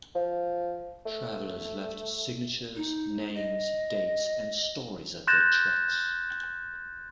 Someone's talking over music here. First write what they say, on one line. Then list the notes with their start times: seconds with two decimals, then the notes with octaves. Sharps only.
Travelers left signatures, names, dates, and stories of their treks.
0.15 F3
1.06 A3
2.76 D#4
3.35 D#5
5.27 C6 F#6 G6 A6 A#6 E7